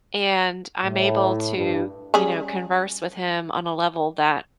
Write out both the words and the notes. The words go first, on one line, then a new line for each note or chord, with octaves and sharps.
and I'm able to, you know, converse with him on a level that
A2
G2
G3 C#4 G#4